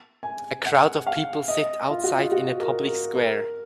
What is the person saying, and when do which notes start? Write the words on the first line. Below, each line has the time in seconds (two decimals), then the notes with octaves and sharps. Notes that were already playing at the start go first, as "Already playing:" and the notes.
A crowd of people sit outside in a public square.
0.23 G#5
0.66 F#5
1.07 F5
1.48 D#5
1.90 F4
2.04 F#4
2.18 F4
2.32 F#4
2.60 A#4
2.87 A#4
3.15 A#4